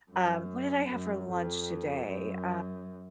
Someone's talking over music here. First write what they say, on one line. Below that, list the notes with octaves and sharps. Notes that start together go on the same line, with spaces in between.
um, what did I have for lunch today? Uh,
F#2
F#2
F2
F#2